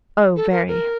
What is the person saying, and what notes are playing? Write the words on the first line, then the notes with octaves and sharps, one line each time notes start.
"Oh, very."
A4
A#4
A#4